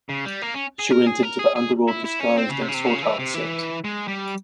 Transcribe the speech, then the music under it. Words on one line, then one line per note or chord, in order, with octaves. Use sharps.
She went into the underworld disguised and sought out Set.
C#3
G3
A#3
C#4
G#4
A#4
G#4
A#4
G#4
G#4
E4
E4
C#4
C4
C#3
C3
C#3
C3
C#3
E3
C3
E3
G#3
G3